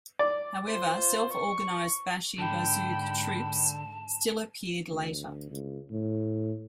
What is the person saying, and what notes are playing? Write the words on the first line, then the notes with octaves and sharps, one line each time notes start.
However, self-organized bashi-bazouk troops still appeared later.
D5
F4 C5
C#6
G#2 D3 G5 A5 B5
D2
C#2
A2